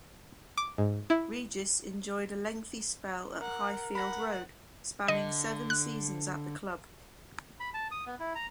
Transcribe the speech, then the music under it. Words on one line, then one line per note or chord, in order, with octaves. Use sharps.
Regis enjoyed a lengthy spell at Highfield Road, spanning seven seasons at the club.
D6
G#2
E4
A#4 F#5
F#5 B5 A#6
D3 D#5
F#6
B5
A5
D#6
B3
E4
A#5